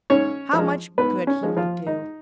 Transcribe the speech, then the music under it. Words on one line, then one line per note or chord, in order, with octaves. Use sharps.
How much good he would do!
G#2 C#4 C#5
F3
G#3
G#2 B3 B4
C#4
F3 G#3
F3 F4
G#2 D#4